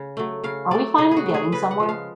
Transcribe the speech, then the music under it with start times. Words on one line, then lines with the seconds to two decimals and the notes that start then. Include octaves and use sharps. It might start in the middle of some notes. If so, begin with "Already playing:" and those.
Are we finally getting somewhere?
Already playing: C#3
0.17 F#3 A3
0.44 C#3 F5
0.71 F#3 A3 D5
0.98 C#3 G#4
1.11 G#4
1.17 F#4
1.26 F#3 A3
1.34 G#4
1.52 C#3 B4
1.71 F#5
1.80 F3 G#3
1.89 F5